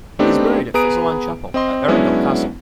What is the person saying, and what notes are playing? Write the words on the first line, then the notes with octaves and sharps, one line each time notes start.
He is buried in Fitzalan Chapel at Arundel Castle.
A3 B3 C4 D4 D#4 G4
B3 G#4 B4 A#5 D#6 D7
C4 D#5 C6
F#3 G#3 B3 C#4 D4 E4